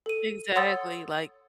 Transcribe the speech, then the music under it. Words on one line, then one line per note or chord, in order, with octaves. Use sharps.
Exactly, like
A4 D#7
C#5 F#5 C6 D#6 E6 A6